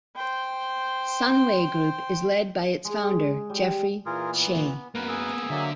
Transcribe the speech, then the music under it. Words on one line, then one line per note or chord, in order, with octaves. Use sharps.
Sunway Group is led by its founder, Jeffrey Cheah.
C5 G5
G#3
G3
A#2 E3 F4 G#4 A#4
B3
F#2 A#3 B3 A#4 B4
G#4 E6
D3 F#3 A#3 E5